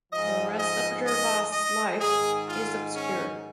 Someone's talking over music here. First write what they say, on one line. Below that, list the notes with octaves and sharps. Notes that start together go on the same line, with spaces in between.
The rest of Gervase's life is obscure.
G#2 F3 D#5
D#5
D#5
D#5
G#2 D#3 G#4
F4
C#4